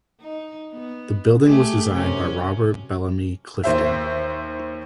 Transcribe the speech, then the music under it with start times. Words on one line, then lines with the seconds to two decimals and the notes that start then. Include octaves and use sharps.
The building was designed by Robert Bellamy Clifton.
0.21 D#4
0.72 B3
1.42 A3 G4 G#4
1.90 F#2 C3 C#4
3.64 D#2 C5 E5